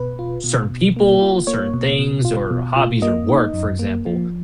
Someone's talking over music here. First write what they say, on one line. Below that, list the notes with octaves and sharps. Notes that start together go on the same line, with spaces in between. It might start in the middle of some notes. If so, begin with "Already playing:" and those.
certain people, certain things, or hobbies or work, for example.
Already playing: B2 B4
F4
B2
B2
A#3
F4
A#3 C#5
B2
B2
F4
B2
F4
A#3 D#5
D#4
F#2
A#3
F3